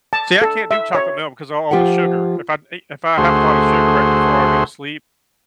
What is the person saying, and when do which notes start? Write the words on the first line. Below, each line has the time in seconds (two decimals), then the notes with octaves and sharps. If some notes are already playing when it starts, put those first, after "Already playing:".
See, I can't do chocolate milk 'cause of a all the sugar, if I e if I have a lot of sugar right before I go to sleep,
0.13 A5
0.42 A4
0.71 E5
0.95 C#5
1.71 F3 F4 G4 C5 E5 F#5
3.18 D2 A3 F#4 G#4 C5 C6